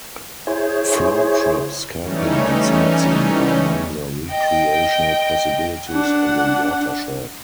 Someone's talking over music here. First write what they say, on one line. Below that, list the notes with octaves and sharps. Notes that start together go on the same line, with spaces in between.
Float trips, camping, and sightseeing are among the recreational possibilities in the watershed.
E4 G#4 C5 C#5
E3 G3 A3 C#4 D#4
D#5 G5
D4 F#5